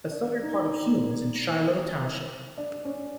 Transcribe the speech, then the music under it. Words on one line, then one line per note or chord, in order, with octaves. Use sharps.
A southern part of Hume is in Shiloh Township.
D4
D#4
D4
D4
C#4